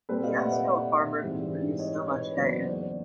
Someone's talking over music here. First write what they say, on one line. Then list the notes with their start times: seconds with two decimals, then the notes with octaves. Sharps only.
He asked how a farmer could produce so much hay.
0.09 A#2 G3 C4 A4 B4
0.23 D#5 F5
0.37 E5 F#5
0.52 D5 E5
1.22 G#2 E3 G3 C4
1.79 C#5 D#5
2.08 B4 C#5
2.37 E2 C#3 F#3 A#3 C5 D5
2.65 C5 D5